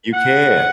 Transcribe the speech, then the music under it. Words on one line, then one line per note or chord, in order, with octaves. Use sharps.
You can.
F#5